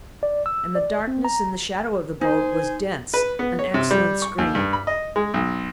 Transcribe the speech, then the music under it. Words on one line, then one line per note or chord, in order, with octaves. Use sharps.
And the darkness in the shadow of the boat was dense, an excellent screen.
D5
E6
D5
C4
A#5
D#4 C5 G#5
B4
B3
C#5
C3
G3
C#6
D#2
G2
B5
D#5
G#3
B1